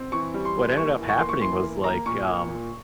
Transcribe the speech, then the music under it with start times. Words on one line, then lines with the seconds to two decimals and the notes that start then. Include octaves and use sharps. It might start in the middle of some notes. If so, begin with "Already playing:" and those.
what ended up happening was like, um,
Already playing: C4
0.12 E3 C#6
0.34 G3
0.45 C6
0.55 E3
0.76 A#3 C#6
0.98 E3
1.08 C#6
1.19 A#3 C6
1.29 C#6
1.41 E3 C6
1.63 A#3
1.84 A#3 A#5
2.06 A#2 C#6
2.27 A#2
2.48 A#2